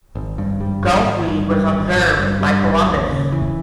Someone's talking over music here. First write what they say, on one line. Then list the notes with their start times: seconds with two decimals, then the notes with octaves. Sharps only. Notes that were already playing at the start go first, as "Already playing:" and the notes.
Gulfweed was observed by Columbus.
0.15 G#1
0.38 G2
0.60 G3
0.83 G#1
1.05 G#1
1.28 G2
1.50 G3
1.73 G#1
1.96 G#1
2.19 G2
2.41 G3
2.64 G#1
2.86 D#2
3.10 C#3
3.32 E3